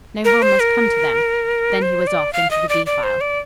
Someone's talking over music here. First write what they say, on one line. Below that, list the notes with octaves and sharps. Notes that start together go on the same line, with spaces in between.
"No harm must come to them." Then he was off into the defile.
A#4
C5
A#4
C5
D5
F5
D#5
D5
D5
C5
D5